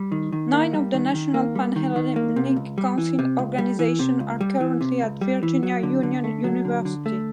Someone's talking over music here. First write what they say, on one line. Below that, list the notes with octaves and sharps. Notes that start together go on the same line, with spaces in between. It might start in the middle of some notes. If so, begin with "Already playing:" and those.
Nine of the National Pan-Hellenic Council organizations are currently at Virginia Union University.
Already playing: G3
D#3
D#3
A#3
G3
D#3
D#3
A#3
G3
D#3
D#3
A#3
C3
C#2
G3
E3
C3
C#2
G3
E3
C3
C#2
G3
E3
C3
C#2
G3
E3
F#3
D3
D3
A3
F#3
D3
D3
A3